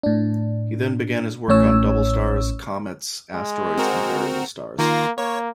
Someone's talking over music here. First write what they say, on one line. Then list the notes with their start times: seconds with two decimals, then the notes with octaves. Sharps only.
He then began his work on double stars, comets, asteroids, and variable stars.
0.03 A2 D4
1.48 A1 A2 C#4 C#5 E6
3.34 G#3
3.78 C4 F#4 A#4
4.79 D#3 A#3 F4 A#6
5.18 A#3 C#5